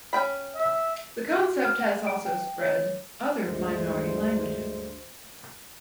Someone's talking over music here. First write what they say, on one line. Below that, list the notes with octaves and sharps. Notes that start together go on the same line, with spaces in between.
The concept has also spread other minority languages.
C#4 G5 B5
E5
F#4
F6
F#5
D7
G5
C#5
D2 G2 G#3 C5